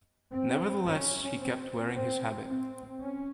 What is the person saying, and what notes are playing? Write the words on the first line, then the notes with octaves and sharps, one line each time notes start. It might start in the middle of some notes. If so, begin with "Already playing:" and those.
Nevertheless, he kept wearing his habit.
C4
C#4
C4
C4
C4
C#4